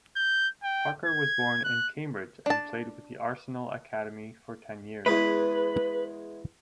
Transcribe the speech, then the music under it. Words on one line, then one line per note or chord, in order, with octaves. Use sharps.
Parker was born in Cambridge and played with the Arsenal academy for ten years.
G6
G5
G#6
F#6
D4 A5
E2 G#3 B4